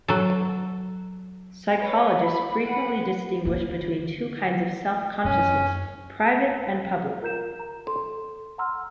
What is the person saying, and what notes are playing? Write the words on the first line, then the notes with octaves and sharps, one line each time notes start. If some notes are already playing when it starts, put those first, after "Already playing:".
Psychologists frequently distinguish between two kinds of self-consciousness, private and public.
F#3 A4
B4 C#5
B5
B4 F#5
D3 A#3
F#2 C#4
F4 A#4 A#5 G6 E7
A#5
A4 C6
A4
F#5 A#5 C6 E6 F6